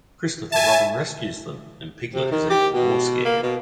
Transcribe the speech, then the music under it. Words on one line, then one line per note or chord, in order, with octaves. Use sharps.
Christopher Robin rescues them and Piglet is even more scared.
E5 G#5 A5
C3
D#3
G4
B2
A#3
B2